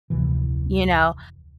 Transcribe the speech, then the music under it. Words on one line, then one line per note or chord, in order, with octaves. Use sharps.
You know?
F1 D2 C3 E3